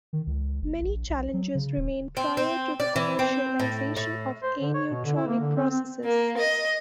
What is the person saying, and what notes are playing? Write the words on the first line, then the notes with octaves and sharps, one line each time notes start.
Many challenges remain prior to the commercialization of aneutronic processes.
D#3
C#2
F#1
A#1
B1
F#3
C#3
D#1
C4
C4
D5
E3
C4
A2
A2
C5
D3
C#5
B2
D3
E4
A#3
D3
C4
C4
A#3
D#5